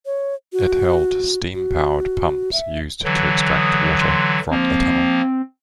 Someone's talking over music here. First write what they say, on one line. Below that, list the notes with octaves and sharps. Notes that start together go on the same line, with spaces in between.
It held steam-powered pumps used to extract water from the tunnel.
C#5
F#4
F#4
E5
D3 E3 F#3
D#6
C6
F3 A#3 C4